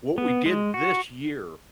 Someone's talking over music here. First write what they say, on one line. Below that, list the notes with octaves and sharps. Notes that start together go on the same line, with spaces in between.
what we did this year
B3
G#3
F#4